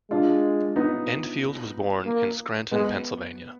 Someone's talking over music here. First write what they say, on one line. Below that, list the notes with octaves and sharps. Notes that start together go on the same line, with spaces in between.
Endfield was born in Scranton, Pennsylvania.
G#3 D4 F4
B3 D#4
A#3
G#3 B3